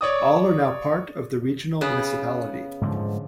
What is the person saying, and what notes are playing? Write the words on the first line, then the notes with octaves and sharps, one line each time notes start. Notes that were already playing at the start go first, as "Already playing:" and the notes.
All are now part of the Regional Municipality.
C#5 D5 D#6
C#3 B3 B4
G#2 D3 F3